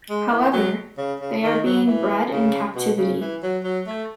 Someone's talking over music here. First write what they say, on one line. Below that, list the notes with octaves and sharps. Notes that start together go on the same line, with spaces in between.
However, they are being bred in captivity.
G#3
E3
F#3
C#3
C#3
D#3
F#3
E3
C#3
B2
C#3
E3
F#3
F#3
A3